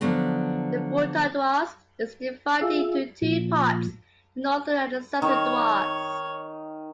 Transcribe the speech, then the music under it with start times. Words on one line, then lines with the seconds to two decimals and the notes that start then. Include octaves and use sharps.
The Bhutan Duars is divided into two parts: the northern and the southern Duars.
0.01 D3 F3 F#3 B3
2.61 F4 G#4 E5
3.22 A#2 F3
5.22 D#3 C#5